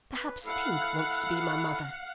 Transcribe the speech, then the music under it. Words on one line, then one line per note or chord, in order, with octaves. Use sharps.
'Perhaps Tink wants to be my mother?'
B4
E4 A4 F5 F#5